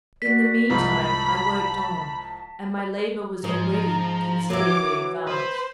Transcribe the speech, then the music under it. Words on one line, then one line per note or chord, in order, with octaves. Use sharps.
In the mean time I worked on, and my labour was already considerably advanced.
F#4 D5 B6
C2 G#2 F3 A5 B5
G#2 F3 A#5
E3 F#3 D6
B4 C5